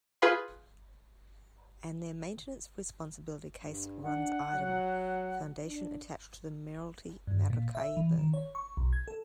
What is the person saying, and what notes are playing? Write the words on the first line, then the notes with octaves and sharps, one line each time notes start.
And their maintenance responsibility Case runs idem, Foundation attached to the Mayoralty Maracaibo.
F4 G#4 B4 F5 B5 C6
G2
D4 F#5
F#3
D4
G2
A#2
E5
E3
D#3
C#5
C#6
B1
G#6
A4